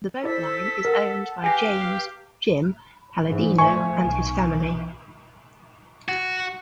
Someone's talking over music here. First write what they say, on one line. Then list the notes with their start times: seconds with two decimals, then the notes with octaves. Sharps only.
The boat line is owned by James "Jim" Palladino and his family.
0.24 E4 A4 C5 D5 E6 B6
0.85 A#4 F#5
1.44 G4 B4 F5 G#5 A#6 C7
3.26 G#2 E3
3.58 F3 A3 G#5 C#6
4.03 B1
4.42 E3
6.09 F#4